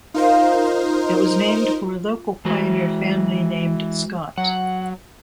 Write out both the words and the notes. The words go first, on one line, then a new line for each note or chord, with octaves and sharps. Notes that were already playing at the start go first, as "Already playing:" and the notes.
It was named for a local pioneer family named Scott.
D#4 F4 A#4 C5
E3 G#3 F#4
F#3 F#5